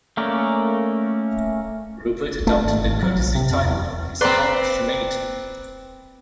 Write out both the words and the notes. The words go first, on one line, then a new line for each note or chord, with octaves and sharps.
Rupert adopted the courtesy title of Viscount Trematon.
A3 A#3 C#4 A#4 D5
A3
G#1
G#1
F#3
A#1
C3
F2
E2
C4 B4 D5 A#5 C6